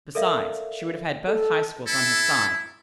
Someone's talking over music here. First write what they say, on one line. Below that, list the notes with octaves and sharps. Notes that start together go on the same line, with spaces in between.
Besides, she would have had both High Schools on her side.
A4 A#4 D5 E5 F5
A4
E4 A4